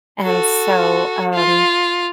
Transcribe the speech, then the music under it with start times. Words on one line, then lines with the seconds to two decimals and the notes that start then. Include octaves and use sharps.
And so, um,
0.23 F#4 A4
1.33 F4